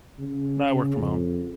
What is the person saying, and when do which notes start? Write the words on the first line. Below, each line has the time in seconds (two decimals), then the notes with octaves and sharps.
No, I work from home.
0.20 C#3
0.97 F2